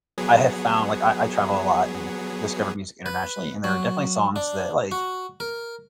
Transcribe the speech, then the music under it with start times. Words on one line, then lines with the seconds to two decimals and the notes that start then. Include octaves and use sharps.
I have found like, I I travel a lot and discover music internationally, and there are definitely songs that like
0.18 F#3 B3 G#4
3.06 B4
3.64 F#3
4.36 D4
4.92 F#4
5.40 A#4